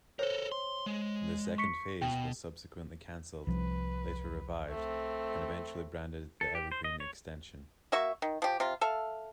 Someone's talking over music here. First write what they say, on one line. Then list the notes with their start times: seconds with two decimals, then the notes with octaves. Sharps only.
The second phase was subsequently cancelled, later revived and eventually branded the Evergreen Extension.
0.19 A4 A#4 C5 C#5
0.52 C6
0.86 G#3
1.58 C#6 B6 C#7
2.02 B2 G5
3.47 C2 F3 B4
4.69 A3 C4
6.41 A4
6.55 G4
6.72 C5
6.84 D#5
7.00 C#5
7.92 A#3 F#4 E5 C#6
8.22 D#3
8.42 F3 G4
8.60 C3 F4
8.81 A4 E5 F5